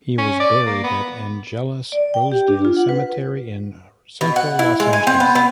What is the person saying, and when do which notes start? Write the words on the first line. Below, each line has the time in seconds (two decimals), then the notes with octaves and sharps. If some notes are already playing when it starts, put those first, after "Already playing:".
He was buried at Angelus-Rosedale Cemetery in Central Los Angeles.
0.18 C#4
0.40 D5
0.66 A#3
0.84 B3
1.92 D5
2.14 G5
2.32 G4
2.48 D4
2.65 F4
2.77 F#5
2.89 B4
4.21 B2
4.36 F#5
4.59 E4
4.80 G#3
4.93 G#5
5.07 C4
5.20 B3
5.35 B3